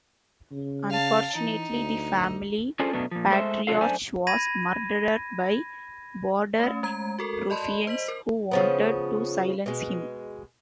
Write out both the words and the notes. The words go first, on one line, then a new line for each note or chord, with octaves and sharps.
Unfortunately, the family patriarch was murdered by Border Ruffians who wanted to silence him.
C#3
F5 A5
E3 D#4
D2
C#4 D4 F4 G#4 A4 C5
F#2 B2 F#3 A3 B3 D4
A#2 F3
G#3 A3 C5 D5 E5
C3 F#3 D4 F4 A4 F5
F#2 A3 D4 C5 D5 G#5
B5 G#6 A#6 D#7
A3 C#4
G#3 A#5 G#6
F#4 A4 A#4
D5 D#5 A5 B5 C6
C5 D#5 B6 F#7
A#4
C#3 F3 B3
B2 G#3